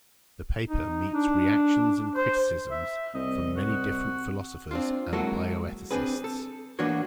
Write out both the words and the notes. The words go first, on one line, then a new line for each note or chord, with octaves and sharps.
The paper meets reactions and criticisms from many different philosophers and bioethicists.
D#4
D4
C5
E5
C2 D#5
F#4
C4 D4 F4
F#3 G#3 A#3 E4 F#4 A4
C4 D4 G#4 B4
A4
E3 A#3 B3 D4 F#4 C#5